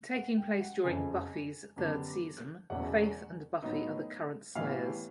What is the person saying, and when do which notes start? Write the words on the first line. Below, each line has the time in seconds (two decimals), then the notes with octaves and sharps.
Taking place during "Buffy"'s third season, Faith and Buffy are the current Slayers.
0.14 F#5
0.37 G5
0.61 F#5
0.84 F#1 F2 C#3 F3 G#5
1.76 F#2 D3 G3 B3 D4
2.70 E1 E2 C#3 F#3 A3 F#5
3.62 A2 F#3 B3 D#4
4.55 A2 E3 G3 B3 F5